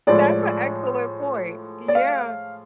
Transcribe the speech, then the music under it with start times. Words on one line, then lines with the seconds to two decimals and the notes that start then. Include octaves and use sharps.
That's an excellent point. Yeah.
0.07 A2 F3 G#3 D5
1.88 D5
1.95 F5